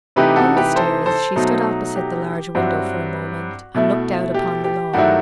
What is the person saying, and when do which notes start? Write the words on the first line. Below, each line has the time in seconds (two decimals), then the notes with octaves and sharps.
On the stairs she stood opposite the large window for a moment, and looked out upon the lawn.
0.16 C3 E3 A3 D#4 G4 B4
0.36 F#4 A4
0.56 G4 B4
0.76 A4 C5
1.06 A4 C5
1.36 B2 F#3 A3 D#4 A4 C5
1.96 G4
2.55 G2 F#3 C4 E4 F#4
3.75 B2 A3 E4
4.34 G4
4.64 G4
4.93 G2 D#3 F#3 A3 E4 F#4